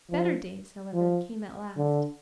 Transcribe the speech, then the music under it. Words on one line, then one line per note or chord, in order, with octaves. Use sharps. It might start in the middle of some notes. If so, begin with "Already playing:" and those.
Better days, however, came at last.
F3
F3
D3